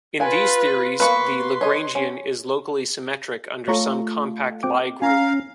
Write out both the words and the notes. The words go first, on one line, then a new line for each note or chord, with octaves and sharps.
In these theories, the Lagrangian is locally symmetric under some compact Lie group.
F4 B4 F#5 G#5
A#3 B3 F#4 B4 C6 C#6
C#5 D#5
C#4
A3 F4 A4 C#5 A#5 C#6
C4 G5 D6
C#4 F5 G#5 A#5